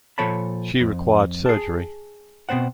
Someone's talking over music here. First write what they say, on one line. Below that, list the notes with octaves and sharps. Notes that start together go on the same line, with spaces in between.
She required surgery.
A#2 F3 A4 C#5 A5 B5
F2
G#4 A5
B2 B3 C4 C5 F#5